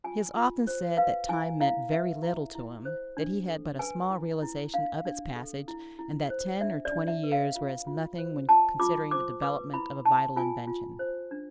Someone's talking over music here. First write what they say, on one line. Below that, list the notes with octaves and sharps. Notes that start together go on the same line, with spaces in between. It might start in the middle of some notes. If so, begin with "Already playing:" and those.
He has often said that time meant very little to him, that he had but a small realization of its passage, and that ten or twenty years were as nothing when considering the development of a vital invention.
F4 G#5
F4
C5
B4 F5
E4 G#5
E4 F5
B4 E5
E4
E4
C5
D4
A4
B4 G#5
E4
E4
D4 F5
D4
A4
E4
E4
C5
D4 E5
D5
D4
E5
B4
F5
F4
F4
C5
F4 A5
F4 D6
C5 D6
B4 D6
E4 B5
E4 A5
F4 G#5
F4
C5
D4